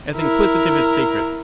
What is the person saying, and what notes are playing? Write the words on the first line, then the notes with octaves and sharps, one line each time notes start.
As inquisitive as secret.'
E4 A#4